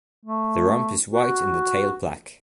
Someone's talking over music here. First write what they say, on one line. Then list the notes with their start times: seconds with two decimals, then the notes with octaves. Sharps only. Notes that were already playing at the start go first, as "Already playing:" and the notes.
The rump is white and the tail black.
0.25 A3
1.12 F#4